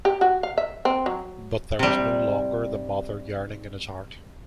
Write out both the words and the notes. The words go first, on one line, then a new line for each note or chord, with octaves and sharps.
But there was no longer the mother yearning in his heart.
G4
F#4
F5
E5
C4
F#3
C3 G3